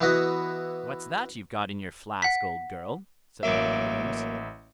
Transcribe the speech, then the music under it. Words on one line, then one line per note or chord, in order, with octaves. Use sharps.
'What's that you've got in your flask, old girl?' said one of the grooms.
E3 B3 E4 F#4 D#5
F#5 B6
A1 F#3 A#3 E5 D6